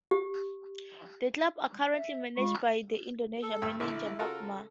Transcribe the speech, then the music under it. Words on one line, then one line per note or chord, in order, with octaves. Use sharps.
The club are currently managed by the Indonesia manager Makmur.
G4
E5
G#3 F4 B5 C#6
A4
G2 A3 E6
A#1 D3 E4
C#3 F4 F#4 A4 A#4